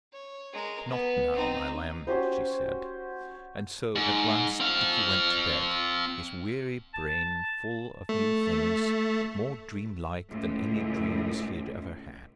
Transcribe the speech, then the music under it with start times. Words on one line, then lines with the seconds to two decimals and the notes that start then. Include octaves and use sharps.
"Not now, my lamb," she said; and so at last Dickie went to bed, his weary brain full of new things more dream-like than any dreams he had ever had.
0.12 C#5
0.53 G#3 A#4
0.88 B3
1.34 C4 D#4
2.07 C#4 F#4 G4 C5
3.95 G#2
4.60 C4 F5
6.94 A5
8.09 A3
10.31 C#2 A2